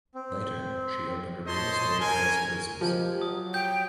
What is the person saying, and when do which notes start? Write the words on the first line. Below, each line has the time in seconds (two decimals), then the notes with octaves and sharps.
Later, she opened a real estate appraisal business.
0.15 C4
1.46 C5 C#5 D#5 A5 C6
2.00 C#4 A#4 G#5
2.81 F3 G#3 G4 A#4
3.22 F#3 D#6
3.54 G5 G6